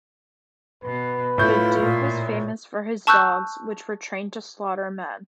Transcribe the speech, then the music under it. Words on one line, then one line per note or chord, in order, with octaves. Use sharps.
The duke was famous for his dogs, which were trained to slaughter men.
B2 B4
A2 A3 E4 F4 G6
A#2
A5 C#6 E6 F#6 G6